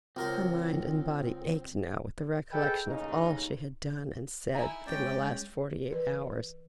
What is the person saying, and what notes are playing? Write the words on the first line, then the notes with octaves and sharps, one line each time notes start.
Her mind and body ached now with the recollection of all she had done and said within the last forty-eight hours.
C#2 C4 A#4 C5
G#4 A4 B4 D#5 G5
A1 D#2 C#3 D#4
D#4 E4 G#5 A#5
G#3 C#4 D5 G5
E3 A#4 B4